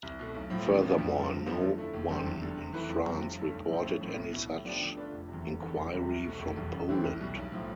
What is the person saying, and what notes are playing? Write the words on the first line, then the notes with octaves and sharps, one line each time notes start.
Furthermore, no one in France reported any such inquiry from Poland.
C2
B2 A3
B1
A2 F3
A1
G2 F3 B3
F2
D3 G3
G1
G2 F3 B3
D3
A3 E4
F1
E2 D3 G3 C4
E2
D3 G3
C3
E3 A3 E4 B4
F2
C3 E3 G3
G1
G2 D3 A3
B1
A2 F3 C4
A1
A2 F3 A3
C2
B2 B3 E4
A2
F3 B3 D4 G4
D3
A3 D4 F4 B4
F1
E2 C3
F1
E2 D3 G3 B3
E1
E2 C3 G3 B3
C2
B2 A3
F1
E2 B2 G3 B3
A1
A2 E3 A3 C4
C2
B2 G3
B1
A2 F3